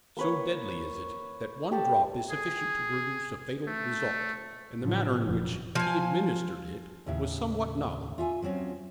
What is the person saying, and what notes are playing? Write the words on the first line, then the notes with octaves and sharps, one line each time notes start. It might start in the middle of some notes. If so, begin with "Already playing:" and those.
So deadly is it, that one drop is sufficient to produce a fatal result, and the manner in which he administered it was somewhat novel.
A#3 B4 C#5
G4 A4 A5
G#4
A3
A2 C#3 F3 F#3
F1 F2 A#2
F3 G#5
D#2 A2 C#3 E5
F4 E5 F#5 G#5
F3 F#3 C4 C#4